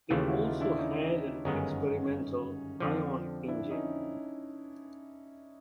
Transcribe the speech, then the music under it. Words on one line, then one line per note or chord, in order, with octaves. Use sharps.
It also had an experimental ion engine.
D#2 C#3 E3 A3 F4 G4
E4 F#4
D#4 F4
D4 E4
C#4 D#4
G1 F#2 D#3 G#3 B3 C#4 D#4
F2 D3 F3
D4 E4
C#4 D#4